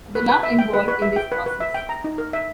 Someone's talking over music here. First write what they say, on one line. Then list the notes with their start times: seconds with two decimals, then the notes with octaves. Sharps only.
The love involved in this process.
0.15 B4
0.29 B4
0.43 E5
0.59 G5
0.73 B4
0.88 B4
1.02 E5
1.16 G5
1.32 B4
1.46 B4
1.60 E5
1.74 G5
1.89 A#5
2.04 D#4
2.18 A#4
2.33 E5